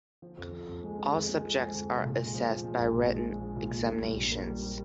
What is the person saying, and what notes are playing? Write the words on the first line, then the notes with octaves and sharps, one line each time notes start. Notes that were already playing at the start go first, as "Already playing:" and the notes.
All subjects are assessed by written examinations.
F3
F2
F3
F2
G#3
G#3
F2
G#3
F3
G#3
F2
C3
A#2
G#3
F3
F3
G#3
A#1
A#2
G#3
G#3
F3
A#2
A#2
A#1
G3
A#1
A#3
G3
G3